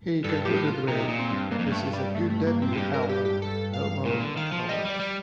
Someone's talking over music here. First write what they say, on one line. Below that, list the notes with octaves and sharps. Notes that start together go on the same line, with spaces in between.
He concluded with, This is a good debut album-no more, no less.
G2 A4
A2 G4
F4
C3 D#4
A#2
C4
G2
G2 A#3
F2
G2
A3
G3
A3
A3
A#3
C4
A2
G2 G4
A#4
G4
G4
A4
F5
A#2
D3
D#3 F5
F3
G3 D#5
G3 D5
G3